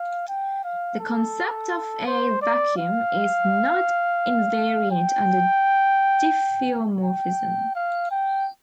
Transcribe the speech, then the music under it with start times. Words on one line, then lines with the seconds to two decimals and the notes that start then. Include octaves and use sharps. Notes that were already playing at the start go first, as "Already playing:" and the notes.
The concept of a vacuum is not invariant under diffeomorphisms.
Already playing: F5
0.28 G5
0.64 F5
1.00 A4
2.06 C5
2.42 D5
2.78 F5
4.91 G5
7.04 G5
7.76 F5
8.11 G5